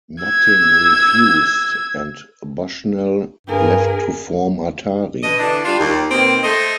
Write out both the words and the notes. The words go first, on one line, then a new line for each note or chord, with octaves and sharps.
Nutting refused, and Bushnell left to form Atari.
E6 G#6
G2 G#4 A#4
B2 D4 D#5
D3 E3 D4
G3 D4 F4
D#2
B2 D#3 A#3 C4
A3 C5 D#5